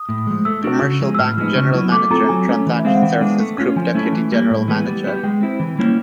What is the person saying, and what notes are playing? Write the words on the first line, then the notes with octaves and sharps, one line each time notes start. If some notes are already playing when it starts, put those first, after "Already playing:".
Commercial Bank General manager and Transaction Services Group Deputy General Manager.
Already playing: D#6
A2
F3 G#3
A3 E6
D4 F#4 A#4
C#3
F3 G#3
E6
A2 F6
F3 G#3 B3 D#4
C#3
F#3 B3 E4
A3 D6
C4 F4 A4 A#5
F#3 G#5
A3 C#4
E3
E5
G#3 C4 F5
F#5
E3 G5
G#3 B3 D4
A3
C#4 F4
F3 G#5
A3 C#4 E4
E3
G3 A#3
A2
E3 G#3 B3
G3
B3 E4 G4
G#3 G5
C4 E4
E3
G3 A#3 C#4 E4